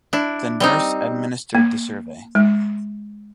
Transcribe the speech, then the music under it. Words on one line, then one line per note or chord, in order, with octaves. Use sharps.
The nurse administered the survey.
D4 E4
G3 C4 D#4
A#3
G#3